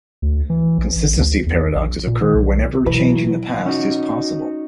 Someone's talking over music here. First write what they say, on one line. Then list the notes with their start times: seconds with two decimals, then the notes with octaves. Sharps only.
Consistency paradoxes occur whenever changing the past is possible.
0.22 D2
0.50 E3
0.78 A#1
0.96 A1
1.16 D2
1.46 E2
1.75 A#1
2.07 A#2
2.22 D#3
2.35 B1
2.86 B2 E3 F#3 B4
3.66 C#4 D#4 F#4